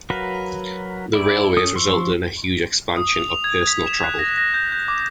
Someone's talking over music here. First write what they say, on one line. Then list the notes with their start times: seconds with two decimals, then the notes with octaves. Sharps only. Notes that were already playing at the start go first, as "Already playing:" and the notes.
The railways resulted in a huge expansion of personal travel.
0.10 F#3 F#4 A#4 B4 F5
1.13 E4 D5
1.57 C#4 A4 D#6
1.75 F3 C6 C#6 E6
2.97 D#6
3.15 F7
3.30 F7
3.44 G#6
3.67 B6
3.86 E7
4.03 F#6
4.19 A#6
4.38 A#6
4.54 G6
4.72 G6
4.88 D6